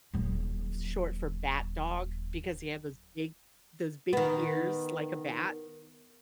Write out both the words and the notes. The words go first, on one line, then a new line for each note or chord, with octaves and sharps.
c short for Bat Dog, because he had those big those big ears like a bat
D#1 F#3
D#3 B3